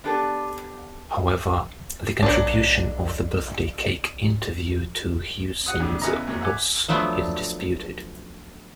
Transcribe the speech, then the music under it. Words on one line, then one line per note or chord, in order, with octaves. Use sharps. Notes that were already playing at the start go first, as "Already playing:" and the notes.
However, the contribution of the birthday cake interview to Hewson's loss is disputed.
B3 D4 G4 A4 B4
B1 F#3 D4
F#4 F#5 D#6
A#1 F2 D3 D4
E2 C#3 B3 E4 D#5 A#5
D#2 C3 F#3
E5 F#5 G#5 D6
F3 F#3 A3 B3 D4